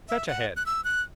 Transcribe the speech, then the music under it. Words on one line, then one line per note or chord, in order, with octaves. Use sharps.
Such a head!
E5
F#5
F#6
E6
F#6